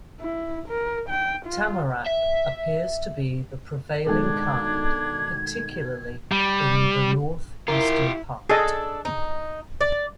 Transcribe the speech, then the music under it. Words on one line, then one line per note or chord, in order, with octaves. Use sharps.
Tamarack appears to be the prevailing kind, particularly in the North-eastern part.
E4
A#4
G5
F4
E5
B2 D#3 G#3 D4 A4 G#6
G3
E4 F4 G4 A#4
D4 G#4 A4 D#5
D#4
D5